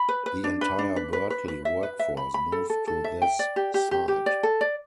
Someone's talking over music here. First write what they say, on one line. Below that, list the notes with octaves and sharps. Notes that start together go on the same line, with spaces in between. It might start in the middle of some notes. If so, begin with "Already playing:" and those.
The entire Birtley workforce moved to this site.
Already playing: B5
B4
B4
D4
B4
D4
B4
B4
B4
B4
E5
B4
E5
B5
B5
A4
A4
A4
E5
G5
D5
G4
G4
G4
G4
D5
A4
D5